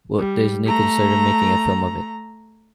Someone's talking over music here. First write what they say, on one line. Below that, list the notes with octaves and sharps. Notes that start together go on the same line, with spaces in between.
Walt Disney considered making a film of it.
G3
A3 A#5